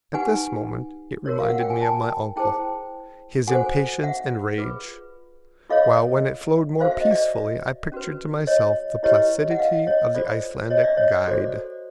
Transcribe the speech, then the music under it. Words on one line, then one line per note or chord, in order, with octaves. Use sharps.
At this moment it reminded me of my uncle, his impatience and rage, while when it flowed more peacefully, I pictured to myself the placidity of the Icelandic guide.
D#4 G4 B4 F#5 G#5
F#4 A#4 C#5
F5
F#5
G5
G#5
G5 A5
E4 G#4 C5 G5 A5
F#4 A4 C5 F#5 G#5
E5 F#5
F4 G#4 B4
F4 A4 C#5 D#5 F5
F#4 A4 C5 F5
E5
D#5
D5 E5
C#4 F#4 B4
C#5 D#5
E4 G4 B4 C#5 D#5
F#5
D#5 F5
C#5 D#5
F4 A4 C5 D5
C#5 D#5
D5 E5
C#5 D#5
D5
F#4 A4 C5 D5